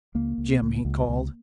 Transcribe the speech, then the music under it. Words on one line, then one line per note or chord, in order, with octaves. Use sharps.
Jim!' he called.
C#2 A#3
C#2
C#2
C#2
C#2